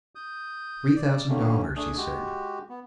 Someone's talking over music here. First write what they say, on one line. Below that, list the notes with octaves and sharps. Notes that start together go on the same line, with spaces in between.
"Three thousand dollars," he said.
D#6 G6
D5
D3 D#3 A3 A#3 C#4
A3 D4 G#4
G#3 F#4 G4
B3